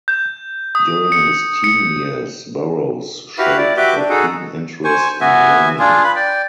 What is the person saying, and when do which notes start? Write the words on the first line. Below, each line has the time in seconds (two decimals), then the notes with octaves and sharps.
During his teen years Burroughs showed a keen interest in learning.
0.08 G6
0.75 D#6
1.12 C#7
1.64 C#7
3.38 E4 F#4 G4 B4 F5
3.57 E4 D5
3.77 F#4 G4 B4 E5 D6 G6
3.96 D4
4.10 D#4 F#4 G#4 A4
4.84 C5 G#5 C#6
5.21 B3 F#4 E5 G#5
5.79 D4 F4 G#4
6.04 B4 B5
6.16 D5 G5